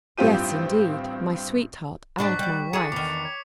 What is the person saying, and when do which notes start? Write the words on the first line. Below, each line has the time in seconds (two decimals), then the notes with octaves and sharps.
"Yes, indeed; my sweetheart and my wife."
0.18 A1 G2 C4 F4 G4 D#7
2.18 G#2 D4 D5 F#5 C#6 B6
2.39 G3 D5
2.73 D4 E4 G#4 C#7
2.92 E2 D#3 D6
3.24 C#5